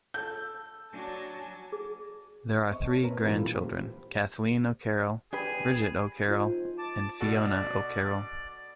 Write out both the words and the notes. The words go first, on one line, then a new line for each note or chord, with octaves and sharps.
There are three grand children, Kathleen O'Carroll, Bridget O'Carroll and Fiona O'Carroll.
A4 G6
F#3 D4 F#4 G#5 A5
G#4
C5 D#5 E5 C#6
C#5 A5
C4 A#4 B4 A#5
A#2 E3 F3 G3 A3 D4
B5
F4 G4 C5
D4 G4 G#4 B4
D#4 F4 C5
A5 D6
B2 F#4 A4 D5